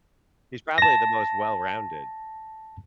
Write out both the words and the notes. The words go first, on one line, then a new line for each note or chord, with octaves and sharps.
He's probably the most well-rounded
A5 A#6